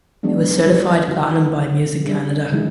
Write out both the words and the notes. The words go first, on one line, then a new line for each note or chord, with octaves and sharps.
It was certified Platinum by Music Canada.
E3 F#3 G#3 B3 D4
G3
D3 E4 F#4
G3 D4 G#4
C#3 E3 F#3 G#3 D#4 E4